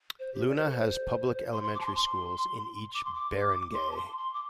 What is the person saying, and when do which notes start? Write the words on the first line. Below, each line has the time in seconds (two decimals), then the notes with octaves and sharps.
Luna has Public Elementary schools in each barangay.
0.19 C5
0.34 G4
0.48 D5
0.57 C5
0.65 A4
0.72 C5
1.52 C6
1.64 C6
1.75 D6
1.80 A5
1.85 C6
1.96 C6
2.94 D6
3.05 C6
3.14 D6
3.74 C6
3.92 A5
3.96 C6
4.17 C6
4.34 D6